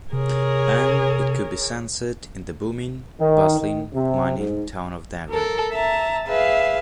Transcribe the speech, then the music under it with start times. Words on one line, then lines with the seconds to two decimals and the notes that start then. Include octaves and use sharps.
And it could be sensed in the booming, bustling mining town of Denver.
0.13 C3 G#4 A#4 C#5
3.19 D#3
3.59 D#3
3.93 C3
4.37 G#2
5.29 A4 A#4
5.71 E5 A5 A#5
6.26 G#4 B4 E5 F5